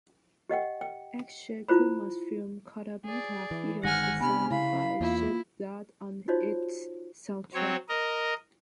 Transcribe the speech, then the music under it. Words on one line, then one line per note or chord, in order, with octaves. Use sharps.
Akshay Kumar's film "Khatta Meetha" features a song by Shehzad on its soundtrack.
G4 D#5 F#5 G5
G5
E4 F4 C5 B5
G#4 D5
E3
G1 D#3 G#3 F#5 G#5 F6 A#6
C3 B3 D4 G#5 B5 F6
C#3 E4 F5 B5
E2 A#3 E4 F4
D#4 F4 F#4 C5 C#5
F#3 C4 C#5
A#4 D#5